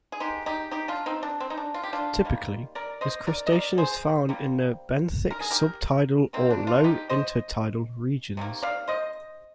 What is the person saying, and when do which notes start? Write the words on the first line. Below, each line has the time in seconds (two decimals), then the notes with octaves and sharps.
Typically, this crustacean is found in the benthic sub-tidal or low inter-tidal regions.
0.12 G#4
0.20 D#3 G#3 D#4 G4
0.46 D#4 G4
0.71 D#4 G4
0.88 D4 F4
1.06 C4 D#4
1.23 D4
1.40 C4
1.50 D#4
1.57 D4
1.74 F4
1.83 G4
1.93 D4 F4
2.25 D#3 G3 A#3
2.75 A#4 D5
3.01 C5 D#5
3.27 A#4 D5
3.46 D#5
3.52 A#4 D5
3.78 G#4 C5
4.29 C3 G3 A#3
5.31 A#4
5.40 G#4
5.50 G4 A#4
6.33 C3 D#3 A#3 C4
6.51 D4
6.67 D4 F4
6.84 D#4 G4
7.09 C5 D#5
8.37 C3 D#3 A#3
8.62 D5 F5
8.88 C5 D#5